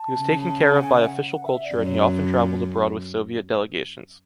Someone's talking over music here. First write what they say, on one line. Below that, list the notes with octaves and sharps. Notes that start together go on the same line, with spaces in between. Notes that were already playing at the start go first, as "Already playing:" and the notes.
He was taken care of by official culture and he often travelled abroad with Soviet delegations.
Already playing: A5
C#3
F#5
G#5
E5
F#5
F#5
E5
D5
F#2
C#5